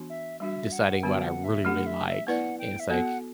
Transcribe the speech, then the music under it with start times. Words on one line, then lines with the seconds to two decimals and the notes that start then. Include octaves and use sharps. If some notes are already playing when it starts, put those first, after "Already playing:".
deciding what I really, really like and it's like,
Already playing: E3 B3 D4 F#4
0.09 E5
0.40 G3 D4 F#4 E5
0.72 F#5
1.02 D3 G3 B3 F#4 G5
1.23 F#5
1.44 E5
1.65 F#3 A3 D4 G4 F#5
1.86 E5
2.07 E5
2.27 B3 E4 B4 D5 F#5
2.58 G5
2.79 E5
2.89 B3 F#4 A4 F#5